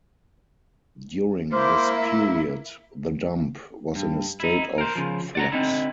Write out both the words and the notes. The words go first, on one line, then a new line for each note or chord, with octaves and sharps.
During this period, the dump was in a state of flux.
A#3 E4 C5 D6 F6
E5
G2
D#4 E4
A#4 C5
C#3 F3
D5 F#5 A#5
D3 C4 D#4 E4